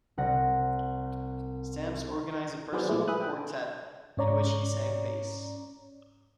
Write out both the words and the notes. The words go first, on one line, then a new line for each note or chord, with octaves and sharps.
Stamps organized a personal quartet in which he sang bass.
C2 F#5 A#6
F#3 B3 G#4 C5 D5
A#2 F3 G#3 A3 E4 G#4
G#4 B4 E5 D#6 F#6
G5
G#2 C#4 C#5 D5 A#5